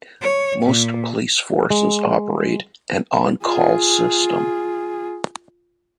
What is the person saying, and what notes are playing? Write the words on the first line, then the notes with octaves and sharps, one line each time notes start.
Most police forces operate an "on call" system.
C#5
A#2
G#3
F4 G#4